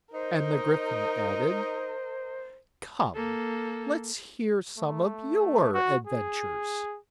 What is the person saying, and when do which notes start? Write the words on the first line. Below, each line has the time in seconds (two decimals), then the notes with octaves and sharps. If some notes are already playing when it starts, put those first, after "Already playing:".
And the Gryphon added 'Come, let's hear some of YOUR adventures.'
0.13 D#4 A#4 C5 D#5
3.15 A#3 A4
4.78 A3
5.73 F#4
6.07 G#4